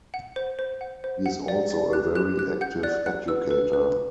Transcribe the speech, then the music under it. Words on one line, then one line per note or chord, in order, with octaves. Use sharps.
He is also a very active educator.
F#5
C5
C5
F#5
C5
F#5
D5
D5
G4 F#6
G4 F#6
G4 F#6
F#5 G6
D5 F#6
F#5 F#6
B4 E6
B4
B4